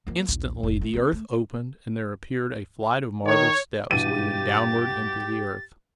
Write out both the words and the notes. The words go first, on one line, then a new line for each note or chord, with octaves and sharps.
Instantly the earth opened, and there appeared a flight of marble steps leading downward into the earth.
F3 A#3
A#1 D#2
F1 A#1
A3
A3 C4
A3
D#3 C#5
G2 B2 E3 G4 A6 D#7